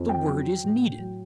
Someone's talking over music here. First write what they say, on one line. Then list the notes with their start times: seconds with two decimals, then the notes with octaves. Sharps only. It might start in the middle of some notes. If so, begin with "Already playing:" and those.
The word is needed.
Already playing: F2
0.09 G5
0.27 F#3
0.64 A2
0.99 F#3